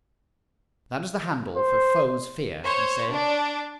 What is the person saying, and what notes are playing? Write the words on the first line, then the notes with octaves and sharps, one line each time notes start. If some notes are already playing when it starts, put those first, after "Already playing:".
"That is the handle for 'Foes'-fear,'" he said.
C5
C5 C#5
D4